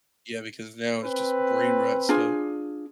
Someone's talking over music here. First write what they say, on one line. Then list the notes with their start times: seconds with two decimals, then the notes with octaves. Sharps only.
Yeah, because now it's just brain rot stuff.
1.03 C4 B4
2.09 D4 F4 G#4